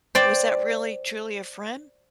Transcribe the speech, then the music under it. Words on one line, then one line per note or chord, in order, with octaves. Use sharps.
was that really truly a friend,
C5 D5 G5